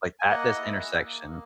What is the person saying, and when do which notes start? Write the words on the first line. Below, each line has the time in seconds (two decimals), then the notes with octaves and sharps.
like, at this intersection,
0.19 G#5
0.29 A#3 D#5 F#5
0.55 E4
0.79 G#4
1.05 A#3
1.30 A#3